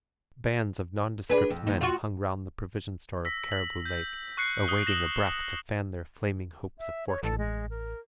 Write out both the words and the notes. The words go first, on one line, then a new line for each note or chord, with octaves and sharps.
Bands of nondescript men hung round the provision-store of Cariboo Lake awaiting a breath to fan their flaming hopes of fortune.
D4 G#4 B4
F2
D#2 D#4
F4 F#4
E6 A#6 B6
F#7
G6
C#6 F#6 C7 C#7
D#6 G7
A#6 E7 F#7 G7
E5
C#5
A1 A4
G#3
A#4